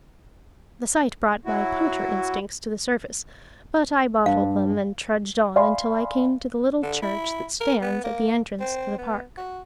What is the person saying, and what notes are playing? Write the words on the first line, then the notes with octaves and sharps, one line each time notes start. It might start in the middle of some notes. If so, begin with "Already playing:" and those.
The sight brought my poacher instincts to the surface, but I bottled them, and trudged on until I came to the little church that stands at the entrance to the park.
F#3 E4 F#4
G2 D4 F5
D5 E5 F5 G#5 B5 C6
D3
E4
A#4
B3
A#3
C4
B3
F#4